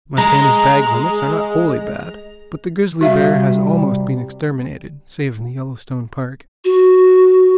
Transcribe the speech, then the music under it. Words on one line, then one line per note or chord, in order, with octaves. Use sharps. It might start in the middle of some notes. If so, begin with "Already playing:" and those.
Montana's bag-limits are not wholly bad; but the grizzly bear has almost been exterminated, save in the Yellowstone Park.
G#3 A#5
C3 G3 F#4 E5 F5
F#4